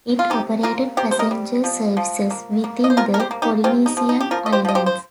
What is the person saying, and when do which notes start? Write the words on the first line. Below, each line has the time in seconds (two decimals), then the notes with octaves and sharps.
It operated passenger services within the Polynesian islands.
0.19 F4
0.30 C3 D#4 G4
0.63 A#3 F4 A#4
0.97 C3 G4 C5
1.11 C5
1.19 A#4 D#5
1.31 G3
1.64 F3
1.97 F3
2.31 A#3
2.64 A#3
2.84 D#5
2.90 C5
2.97 C3 F4 A#4
3.14 A#4
3.20 G4 C5
3.31 A#3
3.42 D#4 G4
3.64 C3 C4 F4
3.86 D#4
3.97 F3
4.09 D#4
4.20 G4
4.31 F3 F4 A#4
4.46 D#5
4.52 G4 C5
4.65 F3 D#5
4.75 G4 C5
4.86 C5